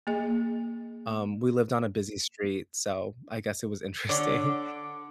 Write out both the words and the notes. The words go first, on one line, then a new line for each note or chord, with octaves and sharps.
um, we lived on a busy street, so I guess it was interesting,
A#3 G#4 D#5
D3 C#5 D5 F#5 D6